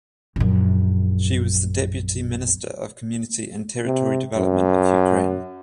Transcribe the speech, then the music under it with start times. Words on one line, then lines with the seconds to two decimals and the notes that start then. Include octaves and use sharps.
She was the Deputy Minister of Community and Territory Development of Ukraine.
0.36 A#1 F#2
3.86 C3
4.37 F#2